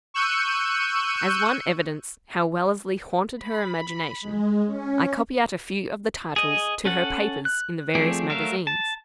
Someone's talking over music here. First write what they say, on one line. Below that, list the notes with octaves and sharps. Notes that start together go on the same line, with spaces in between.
As one evidence how Wellesley haunted her imagination, I copy out a few of the titles to her papers in the various magazines.
C#6 E6 F#6 G6 C#7 D#7
B5
G#3
C#4
G#4 D#5
C#4 A4 F#5
F#6
F3 A3 C4 G#4 D5
F#3 A3 A#4 E5 F5
A5